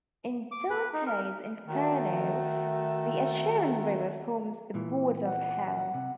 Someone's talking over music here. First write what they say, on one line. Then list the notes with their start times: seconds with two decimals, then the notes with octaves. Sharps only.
In Dante's "Inferno", the Acheron river forms the border of Hell.
0.52 D6
0.70 B4
0.94 D#4
1.07 A#4
1.68 D#3 A3 F#4
4.74 A#2 E3
5.24 F#5
5.94 C3